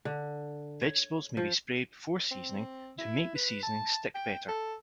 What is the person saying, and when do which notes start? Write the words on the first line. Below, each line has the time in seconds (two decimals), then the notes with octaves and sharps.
Vegetables may be sprayed before seasoning to make the seasonings stick better.
0.05 D3
0.81 C#5
1.37 F3
2.31 C4
2.98 E4
3.35 B4
3.63 A5
4.14 G5
4.48 A4